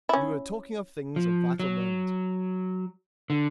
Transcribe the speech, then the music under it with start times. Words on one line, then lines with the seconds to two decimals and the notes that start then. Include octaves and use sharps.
We were talking of things of vital moment.
0.09 C#4 E4
1.16 F3
1.60 F#3
3.30 D3